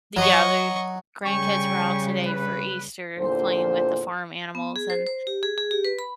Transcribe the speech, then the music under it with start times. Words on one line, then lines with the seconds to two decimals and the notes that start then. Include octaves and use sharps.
the Yeah, their grandkids were out today for Easter, playing with the farm animals, and
0.17 F#3 D#5 C#6
1.25 C#3 G3 G5 G#5 C#6
2.26 B4
3.18 E2 A#2 D3 C5
4.55 B3
4.76 G#4
4.90 C5
5.07 C5
5.27 G4
5.43 G#4
5.58 G#4
5.71 G4
5.85 B4
5.99 B5